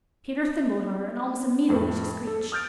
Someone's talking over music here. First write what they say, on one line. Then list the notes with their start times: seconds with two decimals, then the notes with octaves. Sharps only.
Peter thimbled her, and almost immediately she screeched.
1.69 F2 A2 A3 C4
2.27 A4
2.52 D#6 F6 G6 A6 D7